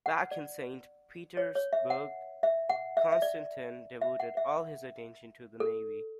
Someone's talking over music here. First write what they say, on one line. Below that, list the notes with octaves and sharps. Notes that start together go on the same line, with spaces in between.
Back in Saint Petersburg, Konstantin devoted all his attention to the navy.
F#5
D5
C#5
C#5
E5
F#5
E5
F#5
E5
E5
D5
E5
F#5
E5
A4